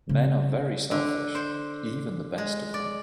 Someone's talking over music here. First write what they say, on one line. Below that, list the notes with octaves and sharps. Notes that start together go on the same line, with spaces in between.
Men are very selfish, even the best of them.
C#3
D3
C5
G#3
D5